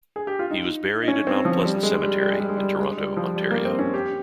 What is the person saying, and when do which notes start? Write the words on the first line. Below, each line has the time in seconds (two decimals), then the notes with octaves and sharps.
He was buried at Mount Pleasant Cemetery in Toronto, Ontario.
0.16 G#4
0.27 G4
0.39 F4
0.51 D#4
1.03 D#4
1.08 C#4
1.27 C4
1.45 F3
1.65 G3
1.83 G#3
2.02 G3
2.22 G3
2.30 G#3
2.40 G3
2.49 G#3
2.57 G3
2.79 G#3
2.98 G3
3.17 F3
3.36 G3
3.50 A#3
3.65 C4
3.79 C#4
3.94 G4